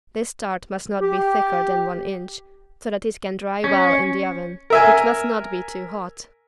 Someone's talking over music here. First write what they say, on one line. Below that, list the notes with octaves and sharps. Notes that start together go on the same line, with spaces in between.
This tart must not be thicker than one inch, so that it can dry well in the oven, which must not be too hot.
G4
C#4
A#4 E5 G#5